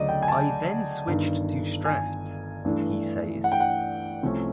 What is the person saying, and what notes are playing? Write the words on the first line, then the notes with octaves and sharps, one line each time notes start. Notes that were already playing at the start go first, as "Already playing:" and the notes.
"I then switched to Strat" he says.
Already playing: D2 C#3 F#3 D5 D#5
G5
G#5
A5
G1 G2 D#3
G#5
G2 E3 A3 D4
F#5
G5
F#5
C2 C3 F3 A3 C#4